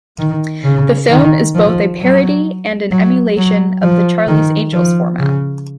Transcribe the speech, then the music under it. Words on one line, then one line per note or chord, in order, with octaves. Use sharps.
The film is both a parody and an emulation of the "Charlie's Angels" format.
D#3
C#3
D#3
F3
F#3
F#3
F#3
F3
D#3
F3
C#3